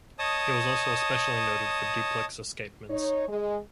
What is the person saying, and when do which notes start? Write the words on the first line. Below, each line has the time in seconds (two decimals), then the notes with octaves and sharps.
He was also especially noted for duplex escapements.
0.19 C#5 D#5 A5 D#6
2.89 D#4 C#5
3.28 G#3